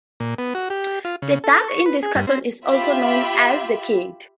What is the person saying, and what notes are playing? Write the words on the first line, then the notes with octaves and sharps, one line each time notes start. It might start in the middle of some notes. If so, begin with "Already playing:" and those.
The duck in this cartoon is also known as "The Kid".
A#2
B3
F#4
G4
F4
C#3
A4
C#6
B4
G#4
G2
C4
F4 G4 E5 B5